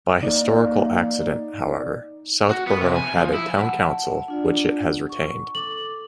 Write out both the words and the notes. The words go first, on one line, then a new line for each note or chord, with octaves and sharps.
By historical accident, however, Southborough had a Town Council, which it has retained.
A#3 D#4 D5
F#4
B3
C3
G#5
F3
E4
F#5 A5
D4 F4 D5
C#6 D6
A4 D6 F#7